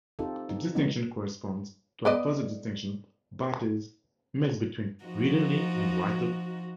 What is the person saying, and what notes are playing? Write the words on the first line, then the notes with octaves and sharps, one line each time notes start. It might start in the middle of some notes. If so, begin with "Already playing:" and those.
The distinction corresponds to a further distinction Barthes makes between "readerly" and "writerly" texts.
C4 D#4 F4 G4 A4
D#4
D3 F3 G#3 B3 C#4 D#4
B3 D5 D#5
F3 D#4 F#4